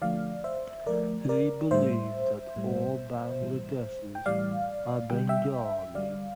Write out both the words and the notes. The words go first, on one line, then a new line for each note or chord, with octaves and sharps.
He believed that all Bangladeshis are Bengali.
D3 F3 A3 D5 F5
C5 E5
D3 F3 A3 A#4 D5
A#4 D5
A2 G3 C5 E5
A2 G3
A2 E3 G3
G5
A2 E3 G3 D5 F5
D3 G3 G5
E5 G5
D3 G3 D5 F5